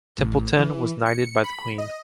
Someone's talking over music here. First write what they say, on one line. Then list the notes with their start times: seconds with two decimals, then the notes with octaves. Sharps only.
Templeton was knighted by the Queen.
0.18 A1
0.59 E3
1.06 C#7
1.44 B5
1.78 D#5